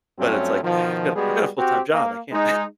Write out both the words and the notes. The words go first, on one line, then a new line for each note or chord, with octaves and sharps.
but, it's like, "Yeah, I've got I've got a full time job I can't"
G2 F#3 A3 C4 C#4
B2 D#3 F3
G3 G#3 B3 F#4 G#4
C4 F#4 G4
A#3
G#3 D#4